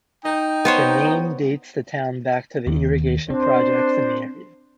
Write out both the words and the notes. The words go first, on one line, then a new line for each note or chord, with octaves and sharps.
The name dates the town back to the irrigation projects in the area.
D#4 G5
B3 C5 C#5
D#2
C4 D4 C5